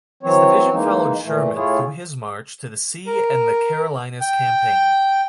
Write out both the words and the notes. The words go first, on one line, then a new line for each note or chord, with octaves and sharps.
His division followed Sherman through his March to the Sea and the Carolinas Campaign.
E3 F#3 C4 C#5
E3 G#3 A#3 D#4
A#2 E3 A3
A2 E4 F4 G#4 C#5
A#4
G5